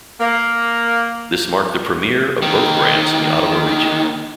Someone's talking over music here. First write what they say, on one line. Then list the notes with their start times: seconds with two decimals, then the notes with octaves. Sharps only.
This marked the premiere of both brands in the Ottawa region.
0.20 A#3
2.42 D#2 D#3